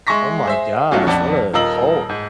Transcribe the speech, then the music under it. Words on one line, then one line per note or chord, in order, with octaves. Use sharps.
Oh my gosh, what a hulk.
G#3 E5 C6 C#6 A#6 B6
G#4 C5 E5
B1 F#3 A3 C#4 F4
A#1 F2 D5 F#5 A5
D#1 F4 A#4 D#5 E6 F#7
G#2